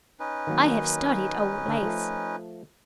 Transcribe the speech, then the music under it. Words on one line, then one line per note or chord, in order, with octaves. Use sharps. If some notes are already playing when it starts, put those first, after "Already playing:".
I have studied old lace.
C#4 D#4 B4
D#3 F#3 A#3
D3 A4
F3 A3